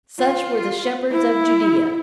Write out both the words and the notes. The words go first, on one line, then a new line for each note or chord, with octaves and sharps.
Such were the shepherds of Judea!
F4
E4